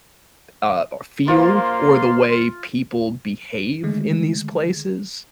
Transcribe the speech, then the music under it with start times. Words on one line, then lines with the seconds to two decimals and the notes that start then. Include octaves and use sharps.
uh, feel, or the way people behave in these places,
1.28 A#3 F4 C5 F5 C6
3.83 D3 D#3 G#3 A3